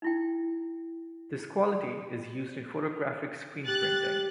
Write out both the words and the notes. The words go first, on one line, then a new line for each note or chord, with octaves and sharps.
This quality is used in photographic screen-printing.
D#4 E4 G5
G4 F#6 A6